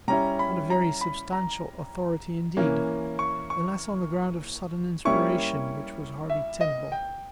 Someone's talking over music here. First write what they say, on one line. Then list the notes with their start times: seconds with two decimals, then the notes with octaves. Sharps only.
Not a very substantial authority indeed, unless on the ground of sudden inspiration, which was hardly tenable.
0.08 G3 C#4 E4 A#5
0.39 B5
0.70 A#5
1.01 B5
1.33 A#5
2.57 E3 A#3 C#4
3.19 C#6
3.50 C#6
5.05 G3 A#3 C#4 E4 C#6
6.30 E5
6.61 D#5
6.92 G5